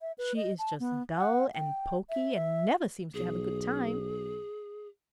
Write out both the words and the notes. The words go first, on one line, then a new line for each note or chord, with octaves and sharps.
She is just dull and poky and never seems to have a good time.
E5
B4
D#5
A5
B3
F#5
G5
E5
E5
B1 G#4